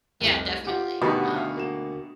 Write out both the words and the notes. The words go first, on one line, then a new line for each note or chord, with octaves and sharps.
Yeah, definitely. Um,
F1 C2
F4 G4 F#5 G5
D2 B2 D#3 B3 G4 B4 D#5
E5 F5
A#3 F#4 E7